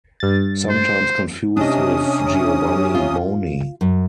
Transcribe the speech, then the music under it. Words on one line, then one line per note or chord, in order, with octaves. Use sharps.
Sometimes confused with Giovanni Boni.
G2 A6
C5
C3 C#4 D4 D#5 D#6
F4
F#2